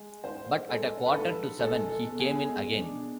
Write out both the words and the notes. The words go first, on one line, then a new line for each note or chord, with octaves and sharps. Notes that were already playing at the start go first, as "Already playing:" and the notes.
But at a quarter to seven he came in again.
Already playing: G#3
G#2 C5
G#3 A4
B4
G#2 A4
G#3 A4
A4
B2
G#4
G#3
D4
B2